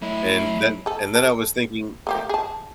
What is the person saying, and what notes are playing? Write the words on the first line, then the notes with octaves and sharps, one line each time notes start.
And then and then I was thinking and
F#3 A3 E4 D#5
G#4 A4
A4
A3 A#3 G4
G#4 A5